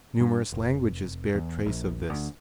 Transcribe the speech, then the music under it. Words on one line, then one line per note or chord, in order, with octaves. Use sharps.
Numerous languages bear trace of this.
G2
F1
E2
A#1
D2